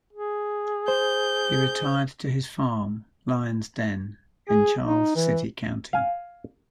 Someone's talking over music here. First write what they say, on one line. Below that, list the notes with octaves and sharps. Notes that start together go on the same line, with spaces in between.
He retired to his farm, Lion's Den, in Charles City County.
G#4
C5 G6
G#4
D#4
E3
F5 G#5